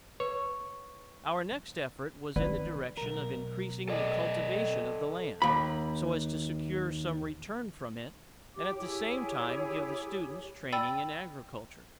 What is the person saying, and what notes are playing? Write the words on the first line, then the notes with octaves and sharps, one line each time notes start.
Our next effort was in the direction of increasing the cultivation of the land, so as to secure some return from it, and at the same time give the students training in agriculture.
B4 C#5
D#3 C4 B4 D5
B1 A#4
A4 D5 D#5
D#2 B5
G4 D6
E4 G4 G#4 C#5
D5 G5 B5 E6 A6 D#7